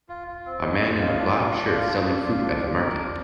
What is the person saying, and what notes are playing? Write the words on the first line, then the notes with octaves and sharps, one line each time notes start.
A man in a black shirt selling fruit at the market.
F4
F4
C4
G#3
G#3
F4
D4
F4
D4
F4
D4
D4
F4
D4
G4
A#4
D4